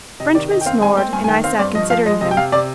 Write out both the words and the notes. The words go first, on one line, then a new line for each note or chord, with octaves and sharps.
The Frenchman snored, and I sat considering him.
C3 D#5
D#3 D5
D#3 D#5
G5
C4 F5
G#3 G#5
C4 G5
G2 G#5
G#5
D#3 G5
C4 F5
G2 D5
F3 D#5
F3 F5
G#3 D#5
C3 D#5
G5
C3 F5
C3 D5